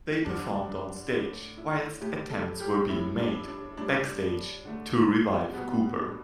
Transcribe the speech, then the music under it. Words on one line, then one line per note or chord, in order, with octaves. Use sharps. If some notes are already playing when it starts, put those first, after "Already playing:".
They performed onstage whilst attempts were being made, backstage, to revive Cooper.
D3 G3 D4
D4
A2 A3 D4
E4
A2 A3 G4
A4
G4
A2 G3 E4
D4
D4
A2 G3 D4
D3 A3
B2 G3 B3
D4